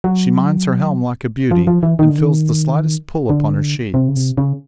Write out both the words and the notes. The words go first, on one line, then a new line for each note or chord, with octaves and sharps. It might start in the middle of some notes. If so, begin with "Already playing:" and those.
"She minds her helm like a beauty, and feels the slightest pull upon her sheets."
F#3
F3
F3
E3
D#3
D3
D#3
D3
C3
C#3
C3
C#3